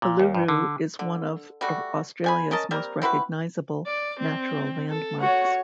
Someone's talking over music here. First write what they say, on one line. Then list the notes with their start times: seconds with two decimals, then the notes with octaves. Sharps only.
Uluru is one of Australia's most recognisable natural landmarks.
0.02 A#2
0.20 D#2
0.35 G2
0.48 D3
0.99 D3
1.61 G3 A3 F#4
2.24 F3 G#5 B5
2.51 C#4 A#4 D#5 A5
2.71 G3 A#3 C4 A#4
3.02 C4 E4 F#4 B4
3.86 D5
4.20 C4
4.90 A4
5.21 F#4 C#5